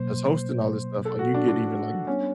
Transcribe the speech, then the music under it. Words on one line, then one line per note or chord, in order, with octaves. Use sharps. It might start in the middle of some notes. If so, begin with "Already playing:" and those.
that's hosting all this stuff, like, you get even, like,
Already playing: B2 F#3 A#3 C5
A4
F#4
D4
D4
G3 B3 C#4 D4